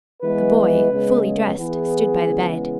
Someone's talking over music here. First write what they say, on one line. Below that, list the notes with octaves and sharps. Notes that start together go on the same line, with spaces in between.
The boy, fully dressed, stood by the bed.
E3 G#3 B3 B4
B4
C#3 G#3 B3
G#4
E3 B3 G#4
C#3 E3 G#3 B3